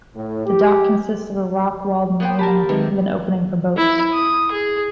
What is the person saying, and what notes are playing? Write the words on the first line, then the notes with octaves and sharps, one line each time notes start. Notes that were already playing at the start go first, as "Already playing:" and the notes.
The dock consists of a rock-walled marina with an opening for boats.
A2
G4
A#3 B3 C5 G5
G4 A#4 A5 B5
C3 D#3 G#3 B4
E4
D#6
G#4